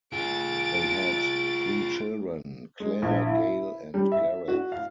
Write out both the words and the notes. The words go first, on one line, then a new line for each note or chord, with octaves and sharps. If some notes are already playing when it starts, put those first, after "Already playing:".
They had three children: Claire, Gail and Gareth.
F4 G#4 A6 D7
G#3
A#1
E4
G3
E5
F#4
F5